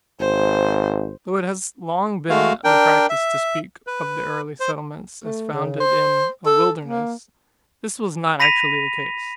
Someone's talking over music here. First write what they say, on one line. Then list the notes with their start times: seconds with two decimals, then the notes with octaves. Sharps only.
Though it has long been the practice to speak of the early settlements as founded in "a wilderness," this was not actually the case.
0.20 G#1 C5
2.30 G#3 A3 F#4 F5
2.64 D4 A#4 G5
3.10 E5
3.87 B4
4.60 C5
5.24 A3
5.53 C#3
5.80 C5
6.46 A4
6.85 A#3
8.40 B5 A#6 B6 D#7 F7